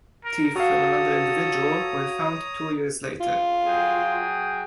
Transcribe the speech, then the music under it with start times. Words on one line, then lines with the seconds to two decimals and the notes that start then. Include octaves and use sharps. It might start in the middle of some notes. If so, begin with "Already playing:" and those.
Teeth from another individual were found two years later.
0.25 A#4
0.56 F#4 A4 C#5 F5 A#5 D#6
3.20 F4
3.66 F#3 G#4 G5